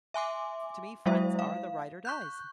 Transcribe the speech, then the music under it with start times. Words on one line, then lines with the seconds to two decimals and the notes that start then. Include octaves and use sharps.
to me, friends are the ride or dies.
0.14 E5 G#5 C6 D6
1.06 F#3 G#3 E4 C5 E5
1.39 F5
2.05 C#6 F#6 G6